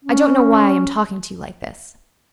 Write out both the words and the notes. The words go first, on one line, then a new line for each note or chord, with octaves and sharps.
"I don't know why I am talking to you like this."
C#4